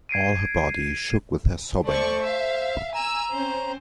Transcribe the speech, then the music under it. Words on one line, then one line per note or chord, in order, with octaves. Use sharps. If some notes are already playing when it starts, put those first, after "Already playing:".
All her body shook with her sobbing.
G#6 C7 D7 D#7
A3 C5 D5 C#6
E5 F5
G#5 A#5 E6
C4 C#4 C5